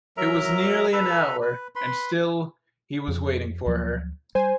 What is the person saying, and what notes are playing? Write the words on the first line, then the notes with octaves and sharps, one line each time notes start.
It was nearly an hour, and still he was waiting for her.
F#3 A#4 E5 A#5
A4 B4 A#5 B5
B4
B4 B5 C6
F2
D2 F3 F#3
G3 C5 G#5